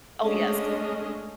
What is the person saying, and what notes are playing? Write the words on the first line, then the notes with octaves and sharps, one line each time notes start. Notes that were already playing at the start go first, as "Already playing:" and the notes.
Oh, yes.
G#3 A3 C#4 D4 D#5